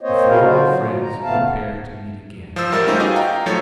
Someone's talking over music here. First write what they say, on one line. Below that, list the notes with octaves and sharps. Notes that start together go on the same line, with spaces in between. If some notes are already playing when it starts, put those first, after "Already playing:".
The four old Friends prepare to meet again.
A#3 C4 C5 C#5 D#5
E4 F#4 G#4 A#4 D#5 F5
F#3 F4 F#4 C5
B2 F3
A#5
E2 C#3 A3 B3 F5 A5
F3 F4 C5 E6
A1 G3 A#4 E5 A6
A3 C#4 D#4 F4 G4 C5
F#4 G#4 B4 D#5 F5 G5
F5 G5 A#5
F3 F#3 A3 D#4 A4 C#5